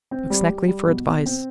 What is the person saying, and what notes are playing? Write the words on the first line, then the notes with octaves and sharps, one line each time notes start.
McSnagley for advice.
C4
G3
G3
G3
B2
B2
C4